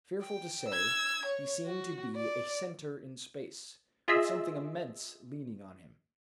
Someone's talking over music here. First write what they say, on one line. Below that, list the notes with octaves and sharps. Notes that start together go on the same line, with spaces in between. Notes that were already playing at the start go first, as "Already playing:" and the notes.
Fearful to say, he seemed to be a centre in space, with something immense leaning on him.
G5
E6 G#6
C#5
F#4
D5
F4 G#4 D#5 E5 E6